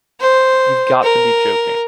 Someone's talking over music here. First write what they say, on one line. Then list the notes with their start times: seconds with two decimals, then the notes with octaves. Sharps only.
You’ve got to be joking.
0.21 C5
1.02 A#4